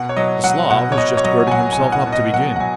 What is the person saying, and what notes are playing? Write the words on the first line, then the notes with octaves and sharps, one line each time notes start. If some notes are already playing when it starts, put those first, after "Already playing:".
The Slav is just girding himself up to begin.
Already playing: B2 F#5
C#5
F#3 D#5
F#3 F#5
B2 F#5
C#5
B2 D#5
C#5
F#3 D#5
G#5
F#3 F#5
G#5
B2
F#5
B2
D#5
F#3 F#5
F#5
F#3 G#5